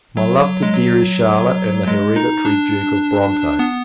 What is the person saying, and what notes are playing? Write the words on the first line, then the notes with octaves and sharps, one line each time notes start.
My love to deary, Charlotte, and the hereditary Duke of Bronte.
F#3
G#3
F#3
G#3
D#4
D4
B3